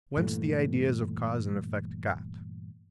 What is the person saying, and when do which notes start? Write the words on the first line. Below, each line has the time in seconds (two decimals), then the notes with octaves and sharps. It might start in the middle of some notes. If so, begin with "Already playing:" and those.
Whence the Ideas of cause and effect got.
0.17 G2 A#2 E3 A3